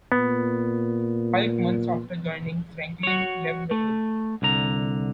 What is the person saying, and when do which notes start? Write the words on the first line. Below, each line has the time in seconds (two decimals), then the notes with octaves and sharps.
Five months after joining, Franklin left the group.
0.12 A#2 B3
3.03 F#4 C#5
3.71 A3
4.42 C2 D3 A#5